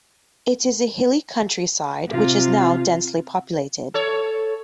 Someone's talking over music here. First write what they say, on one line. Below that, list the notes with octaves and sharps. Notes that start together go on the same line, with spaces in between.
It is a hilly countryside, which is now densely populated.
C3 F4
A4 C#5